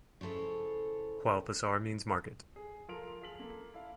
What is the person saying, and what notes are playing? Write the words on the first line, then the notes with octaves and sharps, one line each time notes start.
While "pasar" means "market".
C#3 E4 A4 C5 C#5
G#4
F3 F4 A4 A#4 D7 F7
F4 G#4 B6 F#7
A#3 A4
E4 F5